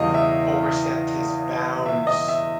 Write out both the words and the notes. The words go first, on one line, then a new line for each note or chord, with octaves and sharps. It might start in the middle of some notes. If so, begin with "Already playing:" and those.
overstepped his bounds
Already playing: E2 C#3 E3 G3 D#5 F5
E5
E5
D#5
E5